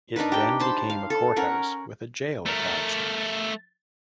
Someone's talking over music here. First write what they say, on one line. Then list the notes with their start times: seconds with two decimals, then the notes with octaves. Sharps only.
It then became a courthouse with a jail attached.
0.16 D4 D#4 A#4 B4
0.32 G4 G5
0.60 C5 A5 B5
0.90 F5
1.10 A4
1.36 C#4 A#4 F#5
2.46 A3 A#4